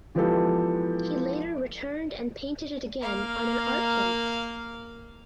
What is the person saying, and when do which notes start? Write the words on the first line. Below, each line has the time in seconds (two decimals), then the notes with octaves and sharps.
He later returned and painted it again on an art canvas.
0.15 E3 F3 G#3 B3 G4 A4
3.01 A#3 F5